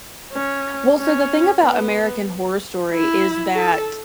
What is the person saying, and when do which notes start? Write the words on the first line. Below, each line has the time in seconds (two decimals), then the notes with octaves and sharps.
Well, so, the thing about American Horror Story is that
0.33 C#4
0.98 C#4
1.62 B3
2.92 E4
3.55 A4